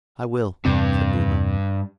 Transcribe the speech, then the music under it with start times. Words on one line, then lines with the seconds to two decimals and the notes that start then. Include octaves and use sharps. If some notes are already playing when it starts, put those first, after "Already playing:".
'I will,' said Newman.
0.65 E2 G2 C3 C4